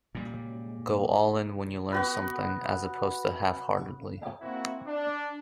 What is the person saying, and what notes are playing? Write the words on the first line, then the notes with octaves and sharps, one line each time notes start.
Go all in when you learn something, as opposed to half-heartedly.
A#2 G3
B3 F#4 B4
A#3 C4 E4 F#4
D4